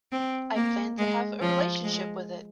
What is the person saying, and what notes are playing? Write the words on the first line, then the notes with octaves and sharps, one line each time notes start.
I plan to have a relationship with it.
C4
A#3
G#3
F3
G#3